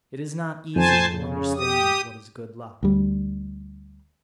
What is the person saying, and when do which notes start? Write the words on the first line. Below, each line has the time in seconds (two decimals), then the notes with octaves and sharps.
It is not easy to understand what is good luck.
0.76 F2 C5 G#5 A5
1.09 C#3
1.56 G4 D#6
2.83 D2 G3